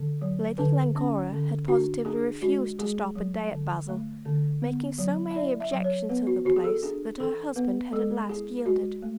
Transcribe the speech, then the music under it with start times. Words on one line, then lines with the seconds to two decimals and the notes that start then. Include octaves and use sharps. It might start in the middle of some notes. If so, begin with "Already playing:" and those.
Lady Glencora had positively refused to stop a day at Basle, making so many objections to the place that her husband had at last yielded.
Already playing: D3
0.21 F#3
0.58 D3 B4
0.95 C#4
1.32 D3
1.68 D4 F#4
2.05 D4 G#4
2.42 G#3 F#4
2.79 G#3 G#4
3.16 F#3
3.52 D3
3.89 A3
4.25 D3
4.62 B3
4.98 F#3
5.31 E5
5.35 E4 D5
5.60 E5
5.72 F#3
5.84 C#5
6.09 B3 B4
6.27 F#4
6.45 E3 F#4
6.56 G#4
6.64 A4
6.83 D4 G#4
7.20 E3 A4
7.56 B3 B4
7.93 G#3 A4
8.29 E4 G#4
8.66 G#3 F#4
9.02 A3